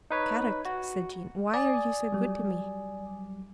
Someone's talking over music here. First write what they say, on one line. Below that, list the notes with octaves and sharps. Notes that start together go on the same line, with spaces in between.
"Kadok," said Jean, "why are you so good to me?"
D#4 B4 C#5
F#4
D5 G#5 D#6
F#3 G3